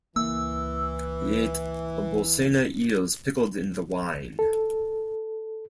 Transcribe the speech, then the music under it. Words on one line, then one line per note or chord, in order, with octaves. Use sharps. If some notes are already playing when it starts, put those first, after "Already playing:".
He ate Bolsena eels pickled in the wine.
C#2 E3 A#3 E6
A4